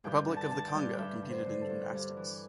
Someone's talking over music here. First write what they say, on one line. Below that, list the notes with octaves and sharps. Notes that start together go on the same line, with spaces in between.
Republic of the Congo competed in gymnastics.
G2 G5
D3
A5
D3 A5
G5
G2
G5
G2 E5
D3
C5
D3
A4
G2
G2
E3